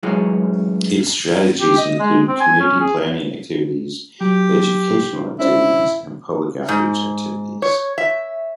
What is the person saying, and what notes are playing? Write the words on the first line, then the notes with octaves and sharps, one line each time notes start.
Its strategies include community-planning activities, educational activities, and public out-reach activities.
F#2 A2 E3 G#3 C#4
G4
D#5
G#3
C4
G#5
C#4
G#4
F#3 G4
C#4 D4 E4 C5
G#2
C#5
E5